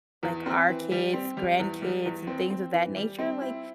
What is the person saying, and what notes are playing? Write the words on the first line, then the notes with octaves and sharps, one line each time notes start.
like, our kids, grandkids, and things of that nature, like,
E2
C4
E3
G3
C4
G3
E2
G3
E2
C4
C4
E3
G3
C4
E4